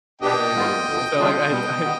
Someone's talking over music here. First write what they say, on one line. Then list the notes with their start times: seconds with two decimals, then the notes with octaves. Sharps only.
Maybe. And so like, I d I
0.21 B2 B3 D4 G4 D#5 G5
0.54 G#2 D#3 G3 B3 F4
0.86 D2 D3 F3
1.16 C3 D#3 G3 D4 F4 D#5 G5
1.49 B2 G3 B3
1.81 D#3 B3